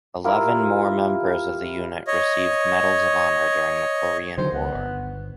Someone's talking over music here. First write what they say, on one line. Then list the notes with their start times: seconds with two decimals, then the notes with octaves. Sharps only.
Eleven more members of the unit received Medals of Honor during the Korean War.
0.24 E4 F4 G4 A#4
2.07 C#5 D#5
4.38 D3 D#3 F#3 C5
4.52 C#2 B3
4.75 G1